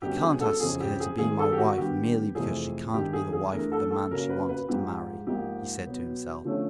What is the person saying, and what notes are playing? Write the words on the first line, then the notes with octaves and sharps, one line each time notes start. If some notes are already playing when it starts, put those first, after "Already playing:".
"I can't ask her to be my wife merely because she can't be the wife of the man she wanted to marry," he said to himself.
F#2 D3 G3 B3 D#4 G4
G#4
A4
F2 C#3 E3 G#4
G4
G#4
D#3 G#3 C4 G#4
A4
G4
F#4
D#3 G3 B3 D4 G4
F2 C3 E3 A3 G#4
G2 D#3 G#3 G4
G#4
G#4
E3 A3 D4 A#4
A4
A4
F#2 C#3 F#3 A#3 A#4
B4
B4
G#2 F3 G#3 G4
G#2 F3 A#3 D#4 G4
B2 F#3 B3
D3 F3 A3 C#4